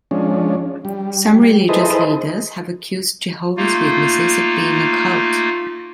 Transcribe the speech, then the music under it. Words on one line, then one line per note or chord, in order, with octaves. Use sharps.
Some religious leaders have accused Jehovah's Witnesses of being a cult.
F3 G#3 C#4 D4
G3
E4 G#4 A4 B4 C5 D#5
A3 A#3 D#4 F4